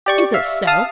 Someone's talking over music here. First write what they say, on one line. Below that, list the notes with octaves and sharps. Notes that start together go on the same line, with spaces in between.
Is this so?'
G4 D5 C#6
E5 F5
F5 A5 D#6